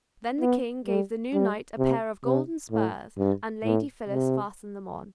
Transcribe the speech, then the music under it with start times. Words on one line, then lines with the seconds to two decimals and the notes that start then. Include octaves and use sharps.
Then the King gave the new knight a pair of golden spurs, and Lady Phyllis fastened them on.
0.41 B3
0.87 G3
1.34 G3
1.79 C3
2.25 C3
2.72 A2
3.18 G2
3.64 A2
4.09 C3